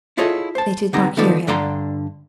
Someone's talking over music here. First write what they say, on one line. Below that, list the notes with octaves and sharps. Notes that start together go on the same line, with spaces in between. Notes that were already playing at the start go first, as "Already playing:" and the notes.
They did not hear him.
E4 F4 G#4 A4 C#5 D#5
C5 A5
D3 B3 C4 D#4 G4 A#5
D#3 F3 B3 D#4 A4 D5
G2 D3 D5 F5 A#5 C6